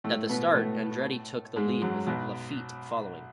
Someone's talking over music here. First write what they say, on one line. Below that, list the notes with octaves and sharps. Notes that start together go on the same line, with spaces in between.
At the start, Andretti took the lead with Laffite following.
A2 A3
B2 B3
A2 A3
G#2 G#3
F#2 F#3
B1 B2